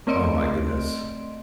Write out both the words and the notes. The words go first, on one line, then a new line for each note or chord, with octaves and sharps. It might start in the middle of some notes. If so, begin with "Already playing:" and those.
Oh my goodness.
A3 C4 D5 D#5 C6 D7